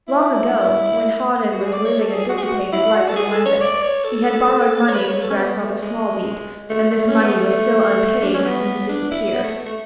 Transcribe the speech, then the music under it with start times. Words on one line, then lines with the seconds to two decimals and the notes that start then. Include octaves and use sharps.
Long ago, when Hawdon was living a dissipated life in London, he had borrowed money from Grandfather Smallweed, and this money was still unpaid when he had disappeared.
0.08 E4
1.51 F#4
1.62 G#4
1.73 D5
1.85 C#5
1.99 A4
2.14 G#4
2.29 F#4
2.38 G#4
2.43 F#4
2.73 E4
2.95 F#4
3.08 A4
3.16 G#4
3.32 A4
3.46 C#5
3.61 D5
3.83 C#5
4.04 A4
4.88 C#5
4.93 B4
5.08 C#5
5.22 A4
5.30 C#4
5.37 B3
5.59 A3
5.81 G#3
6.69 A3
6.91 A3
7.08 C#4
7.22 B3
7.35 A3
8.23 D4
8.34 C#4
8.44 B3
8.89 D4
9.11 E4
9.33 B3
9.44 A3
9.66 A3